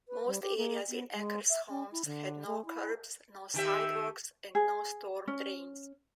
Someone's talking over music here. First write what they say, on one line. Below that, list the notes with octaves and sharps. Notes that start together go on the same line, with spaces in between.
Most areas in Acres Homes had no curbs, no sidewalks, and no storm drains.
B4
G3
G4
A#3
B3
G#3
E5
C#4
E4
D3
A3
E4
D#3 G4 E5
G#4
C#4